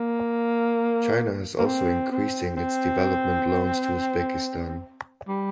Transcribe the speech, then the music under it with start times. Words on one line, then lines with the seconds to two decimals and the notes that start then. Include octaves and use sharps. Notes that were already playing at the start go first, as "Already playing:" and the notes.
China has also increasing its development loans to Uzbekistan.
Already playing: A#3
1.58 A#3
1.66 C4
2.11 C4
2.57 C4
5.28 G3